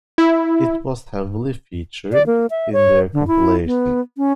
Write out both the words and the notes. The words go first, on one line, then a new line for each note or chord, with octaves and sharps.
It was heavily featured in their compilations.
E4
D5
A#3
E5
C#5
D3
E4
B3
C#4